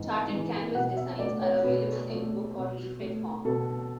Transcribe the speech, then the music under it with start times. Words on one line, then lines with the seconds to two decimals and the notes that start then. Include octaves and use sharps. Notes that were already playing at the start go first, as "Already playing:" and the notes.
Charted Canvas designs are available in book or leaflet form.
Already playing: G#2 E3
0.29 E3 G#3
0.74 B2 F#5
0.97 E5
1.19 A3 D5
1.42 C#5
1.64 B2 B4
2.10 A3
2.55 B2
3.00 A3
3.45 B2 A4